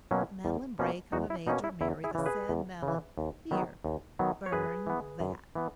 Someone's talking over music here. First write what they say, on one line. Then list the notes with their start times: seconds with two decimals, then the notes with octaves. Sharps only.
"Madeline Bray--come of age or marry--the said Madeline"--here, burn THAT!'
0.11 B2 F#3 A#3 C#4
0.45 E2
0.79 B2 A#3 C#4
1.12 E2 D#4 F#4
1.30 E4
1.47 B2 A#3 C#4 D#4
1.64 E4
1.81 E2 E4
2.04 E4 G#4
2.15 C#3 E3
2.26 G#4 B4
2.49 E2
2.83 C#3
2.88 E3
3.18 D#2
3.51 D#3 F#3 B3
3.84 D#2
4.19 D#3 F#3 B3
4.46 C#5
4.52 F#2 G#4 B4
4.87 E3 B3
5.20 F#2
5.55 E3 B3